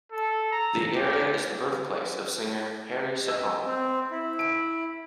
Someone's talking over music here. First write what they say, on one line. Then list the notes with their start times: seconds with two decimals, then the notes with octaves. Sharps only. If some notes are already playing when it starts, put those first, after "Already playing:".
The area is the birthplace of singer Harry Secombe.
0.12 A4
0.52 A#5
0.95 G4
3.26 D#5 E6
3.66 C4
4.11 E4
4.39 D7